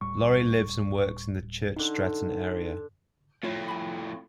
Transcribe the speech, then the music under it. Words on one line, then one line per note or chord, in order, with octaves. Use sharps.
Laurie lives and works in the Church Stretton area.
D1 A2 G3 C#6
D3 D#4 C6
F2 A2 A3 F4 C#5
G#5 B5